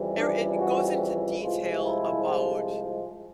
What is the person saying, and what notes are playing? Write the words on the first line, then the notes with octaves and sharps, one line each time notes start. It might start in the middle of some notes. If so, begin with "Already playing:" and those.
er it goes into detail about
Already playing: F2 C#3 E3 G3
D4
F#4
C2 C3 F3 G#3 F4
E4